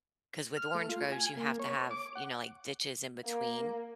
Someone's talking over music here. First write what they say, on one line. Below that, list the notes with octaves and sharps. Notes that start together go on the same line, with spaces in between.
'cause with orange groves, you have to have, you know, like, ditches in between
F6
A3
F4
G#5
A#3
C#5
D6
F#5
A#3